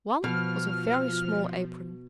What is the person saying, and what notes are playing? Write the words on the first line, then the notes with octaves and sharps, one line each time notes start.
One was a very small apron.
B2 F3 F6